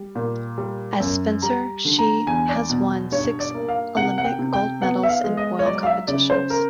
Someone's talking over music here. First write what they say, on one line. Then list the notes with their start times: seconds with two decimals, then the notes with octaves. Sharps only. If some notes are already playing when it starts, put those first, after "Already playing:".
As fencer she has won six Olympic gold medals in foil competitions.
Already playing: G3
0.15 A#2
0.58 G3
1.00 F#2
1.42 G3 A#5
1.85 D3
1.99 A#5
2.27 E2 G#5
2.49 D5
2.70 B2
3.12 G2 C#5
3.40 D5
3.54 A#3
3.69 F5
3.97 C3 F#5
4.18 F#5
4.24 G5
4.39 C3
4.53 G5
4.81 B3 F#5
5.03 E5
5.09 F5
5.24 G#3
5.37 D#5
5.59 C#5
5.65 F#3 D5
5.83 F5
5.87 E5
6.08 C#3 D5
6.30 C5
6.50 A#4